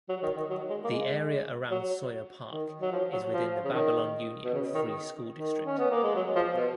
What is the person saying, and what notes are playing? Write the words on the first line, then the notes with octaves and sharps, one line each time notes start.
The area around Sawyer Park is within the Babylon Union Free School District.
F#3
D#3
D#3
F#3
G#3
A#3
G#3
F#3
D#3
F#3
F3
F#3
F3
C#3
D#3
B2
C#3
D#3
D#3
C#4
B3
A#3
G#3
F#3
F3
B2